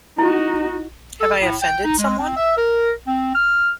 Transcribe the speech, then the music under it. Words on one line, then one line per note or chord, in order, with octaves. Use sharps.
Have I Offended Someone?
D#4 E4 F#4
A4
A2
G5
D#4
G#3
C4
E5
A#4
C4
F6